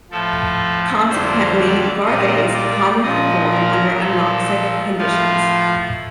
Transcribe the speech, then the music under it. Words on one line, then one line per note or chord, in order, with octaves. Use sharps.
Consequently, varves commonly form under anoxic conditions.
A2 F3 A4
F2 D3 G3 C5
D5
A#2 G3 D#5
D5
A#2 F3 D#5
A#4
A#2 F3 A4
A2 F3 F4